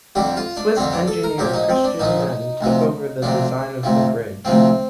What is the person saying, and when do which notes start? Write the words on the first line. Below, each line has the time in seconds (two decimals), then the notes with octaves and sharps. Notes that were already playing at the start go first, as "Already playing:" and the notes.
Swiss engineer Christian Menn took over the design of the bridge.
0.15 F2 D3 G3 G4
0.37 F4
0.57 D4
0.76 F2 D3 G3 C4
0.92 D4
1.08 A4
1.24 A#4
1.38 A#1 A#2 F3 G4
1.53 D#4
1.69 C4
1.84 D4
1.99 A#1 A#2 F3 D#4
2.61 D2 C3 F3
3.22 D2 C3 F3 D4
3.83 D2 C3 F3
4.45 D2 C3 F3 C4